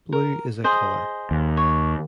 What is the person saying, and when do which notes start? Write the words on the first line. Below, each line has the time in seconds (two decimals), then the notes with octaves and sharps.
Blue is a colour.
0.13 A#4
0.64 G#4 C5 D#5
1.31 D#2
1.57 C#5